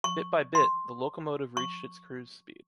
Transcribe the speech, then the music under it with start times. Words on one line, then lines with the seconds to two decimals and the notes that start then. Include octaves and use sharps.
Bit by bit, the locomotive reached its cruise speed.
0.04 C#6
0.55 C6
1.57 C#6